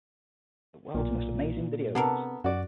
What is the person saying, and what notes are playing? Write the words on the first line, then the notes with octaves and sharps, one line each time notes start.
The World's Most Amazing Videos!
B1 A#2
C3 B3 D4 A4 A#4
F#2 F#4 D5